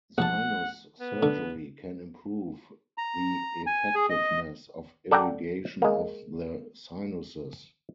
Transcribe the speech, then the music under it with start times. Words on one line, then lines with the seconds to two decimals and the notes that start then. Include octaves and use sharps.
Sinus surgery can improve the effectiveness of irrigation of the sinuses.
0.18 A#1 F#5 A5
0.99 B3
1.23 D3
2.98 A#5
3.66 G#5
3.95 G#4
4.10 D#5
5.11 A4 D5 F#5 G5 A#5
5.82 G#3 A#3